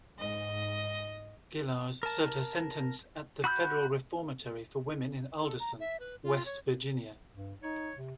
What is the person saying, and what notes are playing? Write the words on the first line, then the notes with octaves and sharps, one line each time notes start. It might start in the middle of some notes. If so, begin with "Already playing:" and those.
Gillars served her sentence at the Federal Reformatory for Women in Alderson, West Virginia.
G#2 D#5
A#4 A5
F#4 B5 E6 G6
A4
A#5
E5
B4
F4
C#5
G2
D#4 C#5
C3